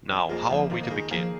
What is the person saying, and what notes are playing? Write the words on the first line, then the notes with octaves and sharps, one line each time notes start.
Now, how are we to begin?
F2
F3 G#3 A#3 F4
F2 F3
D#3 F3 A#3 F4
A#3
D#3 G#3
F3 A#3 G#4